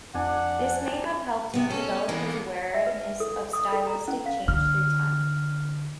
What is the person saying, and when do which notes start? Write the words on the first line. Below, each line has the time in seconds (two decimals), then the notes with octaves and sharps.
This may have helped him develop his awareness of stylistic change through time.
0.15 F2 D4 F#5 G#5
1.54 C3 B3
1.70 C#4 A4
2.09 E3 A#3 B3
2.74 E5
2.86 B4
3.20 A4
3.53 D#6
3.72 A4
3.87 A#5
4.08 C#4
4.26 F5
4.48 D3 F6